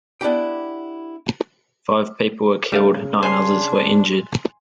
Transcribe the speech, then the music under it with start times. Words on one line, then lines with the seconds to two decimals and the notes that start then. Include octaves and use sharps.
Five people were killed, nine others were injured.
0.21 B3 D4 E4 G4 G5
2.72 C#3 G3 A3 F5
3.23 D4 C5 G#5 C6